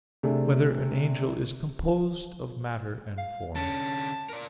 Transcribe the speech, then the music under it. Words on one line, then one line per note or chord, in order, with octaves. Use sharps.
Whether an Angel Is Composed of Matter and Form?
C3 A3 D4 G#4
F5
D3 C#4 A5
A#4 D5